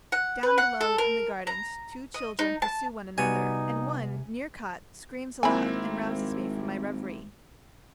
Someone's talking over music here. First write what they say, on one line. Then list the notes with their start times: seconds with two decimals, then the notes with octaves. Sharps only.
Down below in the gardens two children pursue one another, and one, near caught, screams aloud and rouses me from my reverie.
0.12 F#5
0.43 B4
0.58 F#5
0.81 A4
0.98 A#4
1.47 A#5
2.14 D#5
2.39 D#4
2.62 A5
3.18 C3 G3 B3 D#4 F#4 G#5
5.43 G#1 A#3 C4 E4 G#5 B5